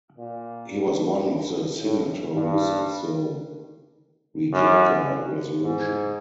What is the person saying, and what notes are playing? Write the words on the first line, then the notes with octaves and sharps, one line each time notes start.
He was one of the signatories of the Rijeka resolution.
A#2
A2
G2
F#2
G#2